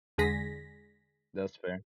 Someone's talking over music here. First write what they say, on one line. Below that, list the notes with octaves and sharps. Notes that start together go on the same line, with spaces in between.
That was fair.
E2 D3 G#3 G#4 A#6 B6